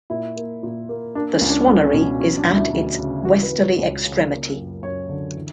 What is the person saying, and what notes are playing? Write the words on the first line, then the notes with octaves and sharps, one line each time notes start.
The swannery is at its westerly extremity.
A#2 E4
A#3
A#2
A#3
A#3 D4
C#4
C#2
D4
C#2 D4
C#4
B2
F#3 C#4
D4
D2
E4
D2
C#3
E3 F#4
B4
B3
C#5
C#2
C#3
A#3
F#2
F#2 C#5
D3
E3